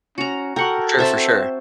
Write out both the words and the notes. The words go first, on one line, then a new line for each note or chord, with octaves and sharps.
For sure, for sure.
C#4 F#4 A#5
F#4 A4 A#4 F#5 G5
C4 C5 E5 A5